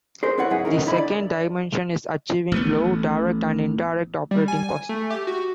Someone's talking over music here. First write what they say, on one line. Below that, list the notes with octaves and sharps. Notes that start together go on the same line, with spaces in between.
The second dimension is achieving low direct and indirect operating costs.
G#4 A#4 C5
C4 E4 B4 C#5 F#5
C#2 G#2 F#3 E4 G#4
C#4 D#4 A#4
B1 D3 E4 D#5 B5
D5
A1 A3 B3
G3
G#5
A3
G4
F#4